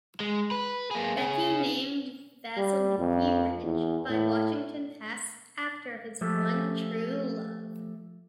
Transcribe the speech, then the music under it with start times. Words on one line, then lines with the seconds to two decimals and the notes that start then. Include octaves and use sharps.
Beckey named Vasiliki Ridge, by Washington Pass, after his one true love.
0.20 G#3
0.51 B4
0.91 A#3 G#4
1.17 C#4 G#4
2.57 G3
2.98 F2
3.63 E2
4.09 A2
6.21 F3 A3 G4 A4